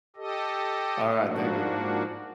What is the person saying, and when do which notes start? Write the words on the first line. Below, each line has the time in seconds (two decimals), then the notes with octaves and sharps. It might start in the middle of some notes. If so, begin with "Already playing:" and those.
Alright, thank you.
0.16 G4 A4 D#5
1.19 G#2 F3 A#3 D4 F#4